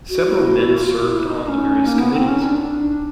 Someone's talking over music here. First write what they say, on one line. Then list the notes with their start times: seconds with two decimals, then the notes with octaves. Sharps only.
Several men served on the various committees.
0.09 F#4
0.24 E4
0.56 E4
0.79 F4
1.03 E4
1.26 D#4
1.49 C#4 D#4
1.86 A#3
2.01 B3
2.15 C4
2.29 C#4
2.42 D4
2.73 D4